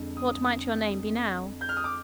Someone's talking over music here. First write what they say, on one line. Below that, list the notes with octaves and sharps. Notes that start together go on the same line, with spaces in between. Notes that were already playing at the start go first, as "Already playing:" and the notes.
"What might your name be, now?"
Already playing: F2 D3 G#3
D#6
G6
F6
D#6
D6